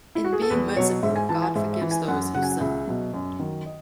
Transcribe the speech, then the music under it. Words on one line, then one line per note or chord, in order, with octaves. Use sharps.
In being merciful, God forgives those who sin.
E4
F#4
G#4
A4
E2 B4
B2 F#3 C#5
G#2 E5
G#5
E3 A5
G#5
G#2 E5
E5
E3
G#5
F#2 F#5
C#3 F#3 F#5
G#5
F#5
C#2 E5
B2 F#3
F#2
D#3 F#3
D#5